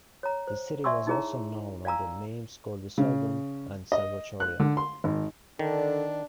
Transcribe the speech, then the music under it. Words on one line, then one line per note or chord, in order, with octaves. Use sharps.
The city was also known under names Gordoserbon and Servochoria.
C#5 A#5
C5
D5 E5 G#5 C6 C#6 E6
D#4 E4 G#4 C#5 A#5
D5 F5 G#5 A#5 E6
C#3
D#5
F#6
D3
C6
G#1
D3 D#3 D4